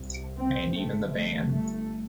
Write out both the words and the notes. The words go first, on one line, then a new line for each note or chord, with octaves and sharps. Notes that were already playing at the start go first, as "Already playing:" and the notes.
And even the ban.
Already playing: C2 C3
C4
G1 G2 A3
A3
A3